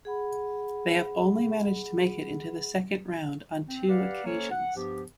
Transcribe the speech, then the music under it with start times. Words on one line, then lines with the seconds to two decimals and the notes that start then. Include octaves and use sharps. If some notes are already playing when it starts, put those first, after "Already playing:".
They have only managed to make it into the second round on two occasions.
0.05 G#4 F#5 B5
3.67 C4
3.88 G4 B4 D5 F5 F#5
4.24 A#3 C#4 A4 C5 C#5
4.51 F#5
4.74 G2 F3 B3 G4